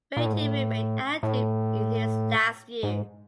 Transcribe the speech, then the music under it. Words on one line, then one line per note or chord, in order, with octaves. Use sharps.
Rietti remained active in his last years.
A#2
A2
G#2
A2
A2
G#2